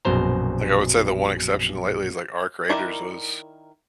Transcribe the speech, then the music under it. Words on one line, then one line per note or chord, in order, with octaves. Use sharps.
Like, I would say the one exception lately is, like, ARC Raiders was
A#1 F#2 B2 C5 A#5
D#3 E4 A#4 D5